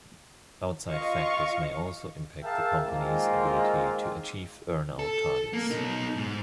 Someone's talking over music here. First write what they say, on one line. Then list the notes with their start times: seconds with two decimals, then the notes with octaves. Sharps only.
Outside factors may also impact the company's ability to achieve earnout targets.
0.89 F4 D#5 F5 C#6
2.43 G#4 A#4 E5 F5 G5 A5
2.84 D#3 G#3 A#3 C4 F4
4.99 A4
5.53 A#3
5.70 B2 D#4
6.17 G#2